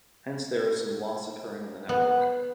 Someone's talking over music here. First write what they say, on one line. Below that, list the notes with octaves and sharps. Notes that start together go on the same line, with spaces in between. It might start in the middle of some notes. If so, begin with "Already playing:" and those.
Hence, there is some loss occurring in the network.
B3